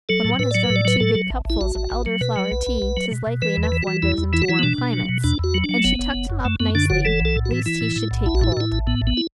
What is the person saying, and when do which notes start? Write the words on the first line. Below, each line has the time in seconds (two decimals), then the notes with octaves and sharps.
"When one has drunk two good cupfuls of Elder-flower tea, 'tis likely enough one goes into warm climates"; and she tucked him up nicely, least he should take cold.
0.09 F#3 A4
0.24 A2
0.39 A2 B4
0.51 F#3 D5
0.64 B4
0.70 A2
0.76 D5
0.85 F#3 B4
1.00 A2 A4
1.15 F#3
1.30 A1
1.45 A1 E4
1.61 A1 F#4
1.76 A1
1.91 A1
2.06 F#3
2.21 B2 B4
2.36 F#3
2.51 B1
2.67 B1
2.82 B1
2.97 F#3
3.11 B2
3.27 B2
3.42 E3 B4
3.57 E2
3.63 B4
3.72 E3
3.83 E3 F#4
4.03 E2 E4
4.18 E2
4.33 E3 E4
4.42 F#4
4.49 E3 E4
4.59 B3
4.63 B2 D4
4.78 B2
4.93 F#3
5.09 B2
5.24 E2 D4
5.39 E2 F#4
5.54 F#3
5.64 D4
5.69 F#3
5.79 A3
5.84 F#1 B3
5.99 F#1
6.14 F#1
6.30 F#2
6.45 F#2 A3
6.60 F#2 B3
6.75 D3 D4
6.90 F#1 F#4
7.05 E3 A4
7.20 B1 A4
7.36 A2
7.46 F#4
7.51 E3
7.66 E3 E4
7.81 A2
7.96 A2
8.11 B1
8.26 A1 E4
8.35 F#4
8.41 A2 E4
8.52 F#4
8.57 A2 E4
8.72 A1
8.87 A2 B3
9.02 A1
9.07 B3
9.17 E4